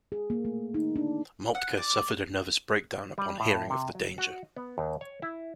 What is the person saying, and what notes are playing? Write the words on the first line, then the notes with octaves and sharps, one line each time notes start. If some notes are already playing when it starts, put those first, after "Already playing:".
Moltke suffered a nervous breakdown upon hearing of the danger.
G#4
A#3
A3
D#4
D4
F#5
D5
G3
A2
C3
F#3
F#4
B3
D#2
C#5
E4